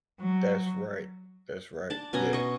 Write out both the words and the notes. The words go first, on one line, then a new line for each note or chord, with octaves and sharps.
That's right. That's right. Yeah,
F#3
D4 A5
B2 C#4 G#5 A#5
D#5 C#6